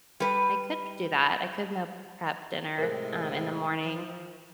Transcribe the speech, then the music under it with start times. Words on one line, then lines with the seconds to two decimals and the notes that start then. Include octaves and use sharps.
I could do that. I could meal prep dinner, um, in the morning,
0.20 G3 B4
2.78 A2 C3 G#3 A#4 C5
3.83 F3